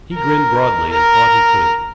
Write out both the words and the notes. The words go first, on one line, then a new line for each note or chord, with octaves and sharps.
He grinned broadly, and thought he could.
A#4
A#4